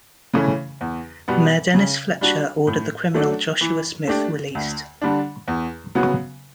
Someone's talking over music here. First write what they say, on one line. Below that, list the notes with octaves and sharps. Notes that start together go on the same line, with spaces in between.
Mayor Dennis Fletcher ordered the criminal Joshua Smith released.
C#3 E3 A3 C#4
E2
B2 G3 B3
C#3
G3 D4 F#4
A2
F#3 A3 D4 A4
E3
A3 D4 G4
D2
D3 G3 D4
E2
C#3 F#3 B3 F#4